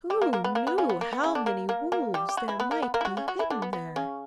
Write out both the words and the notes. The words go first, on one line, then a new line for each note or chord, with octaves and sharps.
Who knew how many wolves there might be hidden there?
G3 G4
A#3 A#4
A#3 A#4
B3 B4
A#3 A#4
B3 B4
C#3 C#4
B3
A#3
B3
C#3 C#4
D3 D4
A#3 A#4
A#3 A#4
A#3 A#4
G3 G4
G4
F#3 F#4
E3 E4
B3 B4
A#3 A#4
B3 B4
A#3 A#4
E4
F#3 F#4
C#3 C#4
F#3 F#4
E3 E4
D3 D4
B3
B3
C#3 C#4